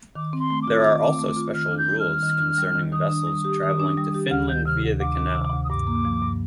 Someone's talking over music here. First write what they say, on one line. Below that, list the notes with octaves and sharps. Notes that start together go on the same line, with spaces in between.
There are also special rules concerning vessels traveling to Finland via the canal.
D#3 D6
C4
C6
A3
D6
F4
D#3 D6
C4
A3
F4
D#3 F6
D4
G6
G3
F6
D#3
D#3
D4
G3
D#3
D#3 D#6
D4
G3
G4
D#3
D4
G3
G4
D2 F6
D#3 G6
C3 F6
D2
D2 D6
D#3
C3
D2
D#6
G2 D6
A#3
F3
G2